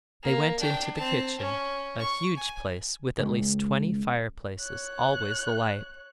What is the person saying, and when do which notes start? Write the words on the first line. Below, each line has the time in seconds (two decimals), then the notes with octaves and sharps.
They went into the kitchen--a huge place with at least twenty fireplaces, always alight.
0.23 A#3
0.60 D4 G5
0.95 C4 A5
1.38 C#4
1.99 C#6
2.36 G#5
3.19 C#2
4.61 C#5 F#6